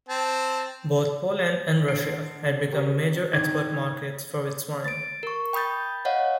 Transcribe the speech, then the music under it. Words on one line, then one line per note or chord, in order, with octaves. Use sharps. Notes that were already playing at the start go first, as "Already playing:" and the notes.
Both Poland and Russia had become major export markets for its wine.
C4 A5
D3 C7 D7
C#4 G4 A#4
G#1 D3 D#3 D6 G#6
A6 D7
A#4 C#6
G5 B5 D#6 G6 A6
C#5 D#5 F5 F#5